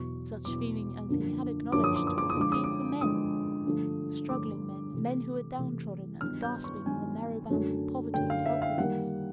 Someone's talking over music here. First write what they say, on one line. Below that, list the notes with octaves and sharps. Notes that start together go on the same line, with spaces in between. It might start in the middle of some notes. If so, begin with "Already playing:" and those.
Such feeling as he had acknowledged to had been for men--struggling men, men who were down-trodden and gasping in the narrow bounds of poverty and helplessness.
Already playing: E2 B2 F#3 B3 E4 C#6
E2 B2 F#3 B3 E4 D6
F#2 D3 F3 A#3 D4
F#2 D3 F3 A#3 D4 D6
D#6
D6
D#6
D6
D#6
D3 F3 G#3 D6
D#6
D6
D3 F3 G#3 D#6
G2 D3 F3 A3
G2 D3 F3 A3 D6
C3 E3 A3
C3 E3 A3
G2 D#3 F#3 B3 D#4 F6
G6
C#6
G2 D#3 F#3 B3 D#4 G#5
F#2 D3 F#3 A3
F#2 D3 F#3 A3 G5
F5
E5
F5
D#3 G3 A#3 F#5